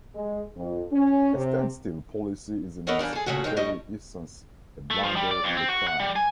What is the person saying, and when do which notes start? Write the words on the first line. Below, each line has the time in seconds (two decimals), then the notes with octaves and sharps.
A standstill policy is in its very essence a blunder and a crime.
0.15 G#3
0.55 F2
0.91 C#4
1.35 C3
2.87 B3 A4 A#4 C#5 D#5 F#5
2.99 E3 G3 A#3 D4
3.13 G#4 A4
3.26 A#2 C#3 A3 C#4 F#4
3.44 F2 C3 C4 D#4 G#4 G5
3.57 A2 G3 A3 D#5
4.91 A3
5.04 F3
5.16 G3
5.31 D5
5.44 F2
5.57 C4
5.69 F#4
5.88 F#5
6.00 G3
6.16 G#5